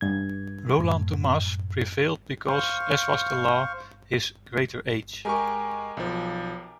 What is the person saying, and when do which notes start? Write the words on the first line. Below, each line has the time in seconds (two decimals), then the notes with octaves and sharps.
Roland Dumas prevailed because, as was the law - his greater age.
0.01 G2 G#6
0.78 F#2 A2
2.49 C5 F5 C#6
5.25 G#3 G4 A#4 G#5 C#6
5.97 B1 F3